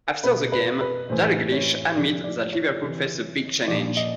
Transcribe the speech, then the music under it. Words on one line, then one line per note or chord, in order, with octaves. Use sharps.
After the game, Dalglish admitted that Liverpool faced "a big challenge".
B2 B4
B4
B4
A2 E3 C5
C#5
C3 F3 D5
D5
C#5
C3 E3
A#2 F3 D5
D#5